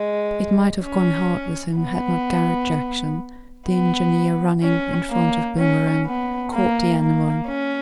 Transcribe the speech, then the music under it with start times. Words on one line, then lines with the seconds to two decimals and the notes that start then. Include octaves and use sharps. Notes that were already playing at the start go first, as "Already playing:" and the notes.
It might have gone hard with him, had not Garret Jackson, the engineer, running in front of Boomerang, caught the animal.
Already playing: G#3
0.83 C#4
1.78 B3
3.68 B3
4.63 C#4
5.11 A#3
5.59 C#4
6.06 B3
6.53 A#3
7.00 A#3
7.48 C#4